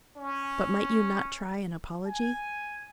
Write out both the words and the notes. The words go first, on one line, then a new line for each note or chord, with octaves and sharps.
"But might you not try an apology?"
C#4
G#5